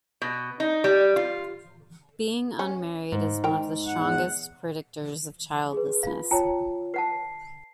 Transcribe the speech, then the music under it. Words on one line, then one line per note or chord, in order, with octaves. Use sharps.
Being unmarried is one of the strongest predictors of childlessness.
B2
D#4
G3
F4
C#4
G#2
A#4 G5
E2 F#5
C6
G#4 B4
F4 F5
F4 C#5 G5 A5 A#5
B4 F#5 A5 C7